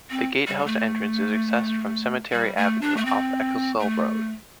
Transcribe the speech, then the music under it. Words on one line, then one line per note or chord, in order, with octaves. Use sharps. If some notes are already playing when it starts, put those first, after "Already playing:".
The Gatehouse entrance is accessed from Cemetery Avenue off Eccelsall Road.
C4
G3
A3
G3
A3
D4
A3
C4
A3